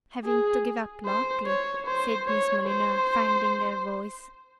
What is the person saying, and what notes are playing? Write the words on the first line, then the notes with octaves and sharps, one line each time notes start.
"Having to give up Lockleigh?" said Miss Molyneux, finding her voice.
G#4
C5
C#5
C5
C#5
C5